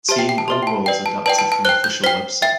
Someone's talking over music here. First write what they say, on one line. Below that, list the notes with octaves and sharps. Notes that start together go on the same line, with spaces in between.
Team and roles adapted from official website.
G4 C5 E5 A5
G5
G5
A5
G4 C5 E5 C6
G5
A5
B4 D5 G5
A5
B4 D5 G5 A5
A5
A5
C5 G5 F#6
G6
C5 G5 B6
E5 G5 A6